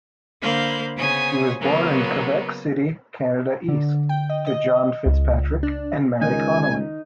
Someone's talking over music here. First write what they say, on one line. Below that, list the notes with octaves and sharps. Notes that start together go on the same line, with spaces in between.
He was born in Quebec City, Canada East, to John Fitzpatrick and Mary Connolly.
D3 A#3 C5 F5 B5 G6
C#3 B3 C5 C#5 G#5 D#6
C#3 F#3 A#3 B3
D3
G5
D#5
D#5
C#2
D4
C#2 D#3 D#4 A#4 G#5